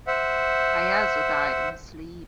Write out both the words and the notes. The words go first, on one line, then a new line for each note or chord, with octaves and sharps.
Caiazzo died in his sleep.
C5 E5 F#5